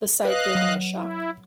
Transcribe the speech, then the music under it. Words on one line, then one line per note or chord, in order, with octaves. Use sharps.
The sight gave me a shock.
B4 D#5 F5 F#6
F#3
E4